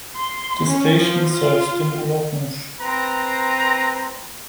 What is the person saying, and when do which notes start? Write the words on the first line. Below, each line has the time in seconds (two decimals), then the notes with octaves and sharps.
The station serves the Moulin Rouge.
0.16 C6
0.66 C#4
0.99 F3
1.33 F4
2.80 C4 B4 A#5